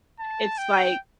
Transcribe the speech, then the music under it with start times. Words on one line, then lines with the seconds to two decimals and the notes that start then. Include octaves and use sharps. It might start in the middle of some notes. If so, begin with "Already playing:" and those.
it's like
0.20 A5
0.58 G5